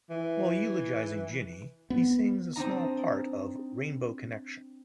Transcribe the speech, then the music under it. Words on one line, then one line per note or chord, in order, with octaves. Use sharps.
While eulogising Ginny, he sings a small part of "Rainbow Connection".
E3
B3
C4 D4 D#4 A#5